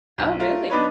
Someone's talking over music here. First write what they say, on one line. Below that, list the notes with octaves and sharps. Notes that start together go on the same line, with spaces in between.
Oh, really?
B1
A3 F4 A#4
B3 D4 D#4 B4 C#5